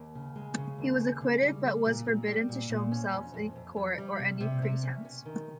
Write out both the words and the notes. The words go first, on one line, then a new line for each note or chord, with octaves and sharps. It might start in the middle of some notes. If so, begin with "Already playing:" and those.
He was acquitted, but was forbidden to show himself at court on any pretense.
Already playing: D#2
C#3
G#3
C#3
D#2
G#3
C#3
G3
G3
A#2
A#2
G3
A#2
A#2
C#4
F2
F2
F2
F2
G3
C3
C3
C3
C#4
C#4
D#3